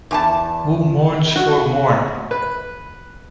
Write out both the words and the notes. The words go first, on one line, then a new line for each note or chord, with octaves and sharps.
Who Mourns for Morn?
E2 G#5 A5
F#4
B4